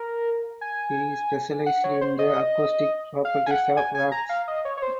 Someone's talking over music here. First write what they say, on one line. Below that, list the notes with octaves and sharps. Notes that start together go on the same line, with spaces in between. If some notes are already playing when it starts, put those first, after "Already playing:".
He specialised in the acoustic properties of rocks.
Already playing: A#4
G#5
F#5
C#5
C5
D#5
F5
G#5
F#5
G#5
G#5
A#5
F5
D#5
C#5
C#5
C5